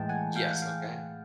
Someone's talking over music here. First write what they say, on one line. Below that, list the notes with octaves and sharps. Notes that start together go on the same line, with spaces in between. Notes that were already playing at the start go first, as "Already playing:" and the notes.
Yes, okay.
Already playing: A2 E3 G#3 G5 A5
F#5 G#5
F5 G5
F#5
F5 G5